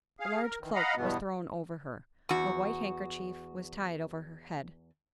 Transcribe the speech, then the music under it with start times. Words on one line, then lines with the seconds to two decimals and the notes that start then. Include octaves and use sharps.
A large cloak was thrown over her; a white handkerchief was tied over her head.
0.20 G#4 F5
0.42 A#4
0.61 D#3 E3
0.74 D#5 F5 F#5 A#5 B5
0.96 E2 G2 B2 B3
2.29 E2 F#4